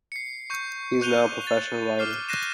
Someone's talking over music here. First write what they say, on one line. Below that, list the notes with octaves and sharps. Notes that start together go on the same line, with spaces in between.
He is now a professional writer.
C7 C#7
C#6 G6 C#7
C#6 F#6 G6 D#7 F7 G7
A6
D6 F6 C7
F#6 G6 A#6 C7 D#7 E7